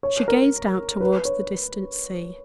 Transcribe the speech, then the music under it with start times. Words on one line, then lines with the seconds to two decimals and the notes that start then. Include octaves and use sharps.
She gazed out towards the distant sea.
0.03 C#5
0.28 A#4
1.00 B4
1.25 C#5